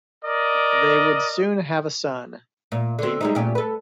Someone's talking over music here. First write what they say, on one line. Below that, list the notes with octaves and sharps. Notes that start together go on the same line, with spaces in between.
They would soon have a son, Damian.
A#4 D5 D#5
A#2
D3 C4
G3 G#3 D#4
A#2 C#4 G4
A4 B4